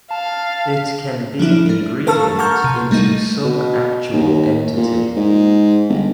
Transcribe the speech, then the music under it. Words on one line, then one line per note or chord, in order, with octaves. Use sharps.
It can be ingredient into some actual entity.
F5 A5
F3 F#3 D4 E4
A3
A4 A#4 F5 A5 C#6 E6
F#5 A5 A#5 C#6 F6 G6
C3
G3 A3 A#3 D#4
B2
D#2
A#2
G#2
G1